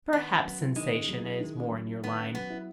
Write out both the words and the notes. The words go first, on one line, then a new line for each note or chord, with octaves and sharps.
Perhaps sensation is more in your line.
D#3 B3
C#4
F#3
E4
D#3 G#3
C#4
F#3
E4
D#3
C#4
F#3
E4
D#3 B3
C#4
F#3 B3
E4